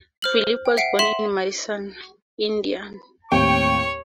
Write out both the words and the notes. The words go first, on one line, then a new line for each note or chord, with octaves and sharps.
Phillips was born in Madison, Indiana.
C5 F6 F#7
G5
E5 F#5 C7 D7
E5 C6 B6 E7 F#7
D#2 A2 C4 C#5 G5 C#6